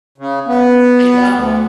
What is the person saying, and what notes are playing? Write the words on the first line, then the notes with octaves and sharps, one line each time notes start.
I know.
C#3
B3
D2